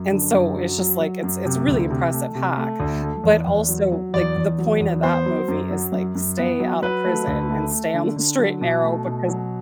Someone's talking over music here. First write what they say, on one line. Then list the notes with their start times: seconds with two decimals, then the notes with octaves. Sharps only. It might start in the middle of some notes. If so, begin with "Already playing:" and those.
and so it's just like, it's it's a really impressive hack, but also, like, the point of that movie is like stay out of prison and stay on the straight and narrow because
Already playing: F#2
0.12 D3
0.33 F#2
0.56 F#3
0.78 F#3
1.01 F#3
1.23 F#2
1.45 C3
1.68 D2
1.90 C3
2.12 A3
2.35 C3
2.57 A3
2.80 D2
3.02 A3
3.24 E2
3.47 E2
3.69 F#3
3.92 F#3
4.14 E2 D5
4.36 E2
4.58 F#3
4.81 E2
5.03 B3 C5
5.26 F#3
5.48 F#2
5.71 F#3
5.92 F#2
6.15 F#2
6.38 B3
6.60 F#3
6.82 F#3 B4
7.05 A3
7.27 D2
7.49 A3
7.72 A3
7.94 D3
8.16 D3
8.39 F#3
8.61 B2
8.84 A3
9.06 B2
9.28 F#3